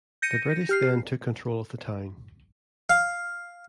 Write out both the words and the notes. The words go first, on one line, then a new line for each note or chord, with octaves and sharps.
The British then took control of the town.
G6 A#6 C#7 D#7
G4 F6 C7
F5